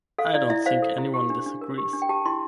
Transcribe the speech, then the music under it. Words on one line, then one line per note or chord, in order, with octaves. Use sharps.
I don't think anyone disagrees.
A4 F5
E4 D5
E4 E5
C5 F5
A4
E4
G4
D4
D4
A#4
G4
D4
G5
G4 A5
E4 C6